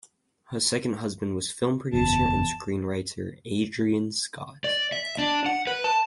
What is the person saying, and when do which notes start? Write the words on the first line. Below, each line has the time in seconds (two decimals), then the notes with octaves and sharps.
Her second husband was film producer and screenwriter Adrian Scott.
1.93 F#1 E2 B2 A5
4.64 D5
4.92 E5
5.18 D4
5.46 F#5
5.67 B4
5.84 A5